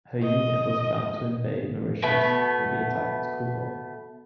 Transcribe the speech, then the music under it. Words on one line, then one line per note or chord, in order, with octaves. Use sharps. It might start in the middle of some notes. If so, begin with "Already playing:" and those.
Her unit was about to invade Mauritius, but the attack was called off.
D#5
B2 A3 B3